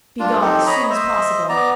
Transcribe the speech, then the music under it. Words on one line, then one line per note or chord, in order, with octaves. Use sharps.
Begone as soon as possible.
D4 F4
C4 D#4 G4 A4
C#5 D#5 A#5 B5
C5 D#5 E5
B3 D5 A#5